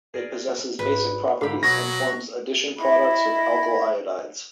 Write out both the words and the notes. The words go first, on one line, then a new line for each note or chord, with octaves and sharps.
It possesses basic properties and forms addition products with alkyl iodides.
G#4 A#4 D5
G#1 B4
G#2 D3 G4 F5 B5
B2 F#3 B3 C#5 A#6
E4 D#5 E5 B5